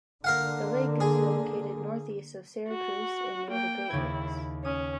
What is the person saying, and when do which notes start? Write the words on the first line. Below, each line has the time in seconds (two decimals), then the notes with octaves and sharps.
The lake is located northeast of Syracuse and near the Great Lakes.
0.24 D3 A#3 A#4 F5 F#5
1.00 G#4
2.69 F#4
3.51 A#3 G5
3.90 D#2 C#3 E4 G#6
4.65 C#4 D#6